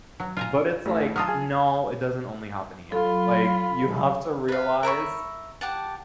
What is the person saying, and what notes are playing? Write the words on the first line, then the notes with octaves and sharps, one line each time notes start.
But, it's like, "No, it doesn't only happen to you," like, you have to realize
F#3
F4 G#5 A#5
A1 A3 E4
F#3 F4 A5 D#6 F6
G#4 G#5
F#3 F4 A4 B5
B4 F5
A#4 E5 B5 C#6
G4 F#5 A5